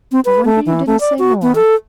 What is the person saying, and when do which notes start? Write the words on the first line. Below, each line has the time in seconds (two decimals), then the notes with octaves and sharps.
"I wonder you didn't say more."
0.12 C4
0.25 B4
0.45 A3
0.66 E3
0.87 A3
1.00 D5
1.19 F#4
1.42 B3
1.55 A4